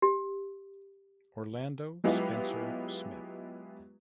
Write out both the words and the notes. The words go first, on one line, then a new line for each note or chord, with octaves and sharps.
Orlando Spencer Smith.
G4
F#3 G#3 B3 E4 F4 G4